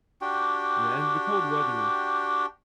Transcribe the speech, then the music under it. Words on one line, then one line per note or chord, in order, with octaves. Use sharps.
Yeah, and the cold weather
D4 F#4 G4 G5